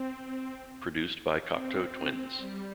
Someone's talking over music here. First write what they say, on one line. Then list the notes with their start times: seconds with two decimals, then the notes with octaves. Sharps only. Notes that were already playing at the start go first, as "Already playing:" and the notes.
Produced by Cocteau Twins.
Already playing: C4
1.45 C4
2.37 G3